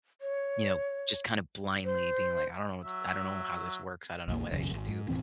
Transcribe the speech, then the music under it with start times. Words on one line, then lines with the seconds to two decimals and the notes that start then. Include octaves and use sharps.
you know, just kind of blindly being like, "I don't know what I don't know how this works. I don't know what I should do
0.21 C#5
1.85 C5
2.81 F#3 E5
4.28 A#1 E2 A#3
4.51 E1 C#2 F#2 C#3
4.71 G#1
4.89 G#2
5.09 E1 A2 E3 C4